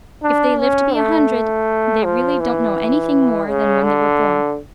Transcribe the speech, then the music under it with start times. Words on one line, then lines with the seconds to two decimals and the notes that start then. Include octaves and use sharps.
If they live to be a hundred they really don't know anything more than when they were born.
0.23 D4
0.59 C#4
0.95 A3
2.04 F3
2.40 E3
3.48 C#3
3.84 D3